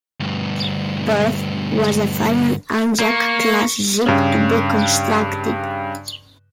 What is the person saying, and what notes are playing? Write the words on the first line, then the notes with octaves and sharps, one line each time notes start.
"Perth" was the final "Anzac"-class ship to be constructed.
D2 G2
A#3 C#6
G2 C#3